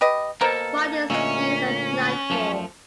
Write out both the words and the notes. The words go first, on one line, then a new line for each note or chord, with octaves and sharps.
Fightings ceased at nightfall.
G4 B4 D#5
B2 A#3 A4 A#4 C5
D2 A#2 G#3 A#3 C#4 E5
F#2 F3 A3